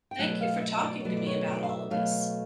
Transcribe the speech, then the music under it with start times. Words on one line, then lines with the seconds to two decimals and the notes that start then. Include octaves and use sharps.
Thank you for talking to me about all of this.
0.11 G5
0.19 B2 F#3 A3 F#5
0.41 F5
0.62 E5
0.77 D#5
0.84 D5
1.00 C#5
1.05 B2 F#3 A3 D5
1.17 D5
1.27 C#5
1.48 D5
1.63 F5
1.69 E5
1.90 B2 F#3 A3 F5